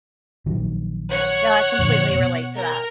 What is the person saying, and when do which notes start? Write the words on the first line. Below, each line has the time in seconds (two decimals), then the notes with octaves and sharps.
no, I completely relate to that.
0.46 A#1 D#3 F#3
1.09 C#5 F#5
1.79 F2 A#2 D3
2.15 B2
2.56 A#4